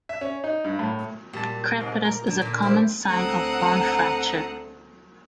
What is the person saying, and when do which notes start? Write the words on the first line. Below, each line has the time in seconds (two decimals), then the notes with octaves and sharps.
Crepitus is a common sign of bone fracture.
0.09 E5
0.21 C#4
0.44 D#4
0.64 G2
0.79 A2
1.33 A#2 G3 A5
1.77 C2 G#2
2.05 A#4
2.27 D3
2.41 A#2
2.62 E4 G4 C5 E5 F6
3.02 D2 C4 A4 F#5 A#5 D#6